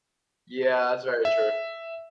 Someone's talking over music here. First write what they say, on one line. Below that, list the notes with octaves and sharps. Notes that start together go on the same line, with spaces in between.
Yeah, that's very true.
E5